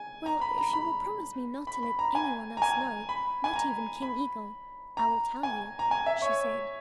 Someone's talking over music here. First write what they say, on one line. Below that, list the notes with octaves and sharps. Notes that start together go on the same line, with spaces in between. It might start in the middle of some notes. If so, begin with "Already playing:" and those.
"Well, if you will promise me not to let any one else know, not even King Eagle, I will tell you," she said.
Already playing: G#5
A#5
B5
A#5
B5
B5
B5
A#5
G#5
A#5
G#5
B5
G#5
A#5
B5
A#5
G#5
A#5
G#5
E5
C#5